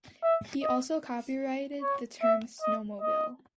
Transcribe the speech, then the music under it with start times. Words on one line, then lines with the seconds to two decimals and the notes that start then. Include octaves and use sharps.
He also copyrighted the term "snowmobile".
0.23 E5
0.63 D#5
1.82 C#5
2.22 E5
2.62 D#5
3.01 D#5